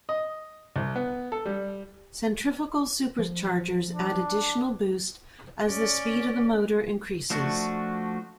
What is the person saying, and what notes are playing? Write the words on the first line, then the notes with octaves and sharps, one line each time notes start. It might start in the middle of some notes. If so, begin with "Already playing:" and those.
Centrifugal superchargers add additional boost as the speed of the motor increases.
D#5
C2
B3
A4
G3
F3
D4
C#4 D5
F3 A3 D4 F#4